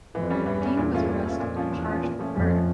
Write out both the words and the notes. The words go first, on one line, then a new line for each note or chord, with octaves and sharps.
Dean was arrested and charged with murder.
F2 E3
G3 C#4
E2 G2 E3
G3 C#4
E2 G2 A#2
A3 C#4 F4
A#2
A3 C#4 F4
F2 A#2
F3 C#4 F4
E2 A#2
F3 C#4 F4
A#2
F3 A3 C#4
F2 A#2
F3 A3 C#4